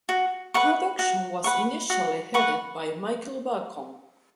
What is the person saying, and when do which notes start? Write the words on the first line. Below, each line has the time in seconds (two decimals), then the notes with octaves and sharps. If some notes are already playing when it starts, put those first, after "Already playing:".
Production was initially headed by Michael Balcon.
0.09 F#4
0.54 B4 F#5 C#6
0.99 F#4
1.44 B4 F#5 C#6
1.90 F#4
2.34 B4 F#5 C#6